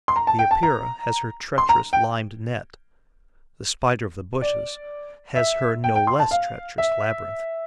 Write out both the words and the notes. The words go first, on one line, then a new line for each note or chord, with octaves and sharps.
The Epeira has her treacherous limed net; the Spider of the bushes has her no less treacherous labyrinth.
C6
A#5
A5
G5
A5
A#5
C6
A#5
G5
D5
E5
G5
G5
C6
A5
F5
E5